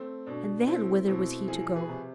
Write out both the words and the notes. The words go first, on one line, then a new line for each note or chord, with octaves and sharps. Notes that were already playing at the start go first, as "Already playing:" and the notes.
And then, whither was he to go?
Already playing: A3 C4
B2 D4
A3 C4 E4
B2 C4 E4
F3 E4 G#4
G#4 B4
C3